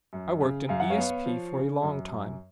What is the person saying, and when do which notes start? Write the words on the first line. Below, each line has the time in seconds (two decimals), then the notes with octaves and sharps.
I worked in ESP for a long time.
0.13 F#2
0.41 C#3
0.69 F#2 F5
0.80 F#5
0.90 C#5 F5
0.98 B3
1.26 F3
1.54 C#3
1.82 F#2
2.10 F#2